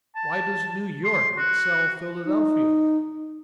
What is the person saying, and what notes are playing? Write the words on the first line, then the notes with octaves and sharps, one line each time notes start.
Why does New York excel Philadelphia?
A5
C6
F#4
D#4